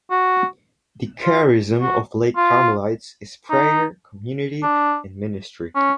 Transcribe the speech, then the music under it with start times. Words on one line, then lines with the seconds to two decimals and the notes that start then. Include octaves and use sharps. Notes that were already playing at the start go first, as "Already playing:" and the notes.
The charism of Lay Carmelites is prayer, community, and ministry.
0.11 F#4
1.24 F4
1.81 F#4
2.37 F4
3.50 D#4
4.63 D4
5.76 C#4